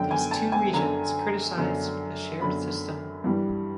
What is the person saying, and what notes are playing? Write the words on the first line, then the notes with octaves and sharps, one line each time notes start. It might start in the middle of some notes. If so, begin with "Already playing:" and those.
These two regions criticized the shared system.
Already playing: F#2 D3 F#3 G5
G#5
A5
G#5
F#2 D3 F#3 A#5
F#2 D3 F#3
F#2 D3 F#3 B5
G2 E3 G3